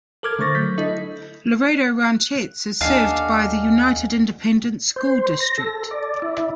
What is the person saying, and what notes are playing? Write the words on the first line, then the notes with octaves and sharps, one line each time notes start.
Laredo Ranchettes is served by the United Independent School District.
A4 A#4 D6 F6 G#6
D3 A3 C5 C#6 A6 A#6
F#3 G6 B6
D4 E4 A4 D#5
F#6
D#2 D4 A4 D#5 F5 F#5 G#5
C5
A#6
A4
D5
E4